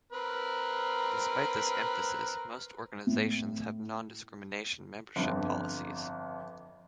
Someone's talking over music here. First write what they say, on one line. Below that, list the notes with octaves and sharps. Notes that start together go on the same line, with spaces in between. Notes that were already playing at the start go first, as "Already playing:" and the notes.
Despite this emphasis, most organizations have non-discrimination membership policies.
C4 A#4 B4
A2
G1 F2